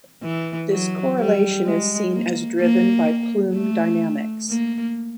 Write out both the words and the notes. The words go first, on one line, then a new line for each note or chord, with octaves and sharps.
This correlation is seen as driven by plume dynamics.
E3
F#3
G3
G#3
A#3
A#3
A3
A#3